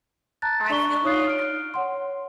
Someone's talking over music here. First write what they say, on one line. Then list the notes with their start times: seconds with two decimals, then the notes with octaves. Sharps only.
I feel like,
0.42 A5 A#5 F#6 A6
0.70 D4 D5 A#5 C#6 G7
1.04 D#4 C#5 D#6 F#6 C7
1.27 F6 D7
1.74 C#5 F#5 C6